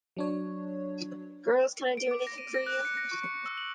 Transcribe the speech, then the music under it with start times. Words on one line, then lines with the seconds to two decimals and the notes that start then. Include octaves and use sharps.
Girls, can I do anything for you?
0.17 F#3 D4 C#5
1.97 D7
2.11 D6
2.27 A#6
2.38 D#7
2.54 A#6
2.66 F#6
2.85 C#7
2.97 A#6
3.11 C#6
3.23 C#7
3.46 E6
3.58 F#7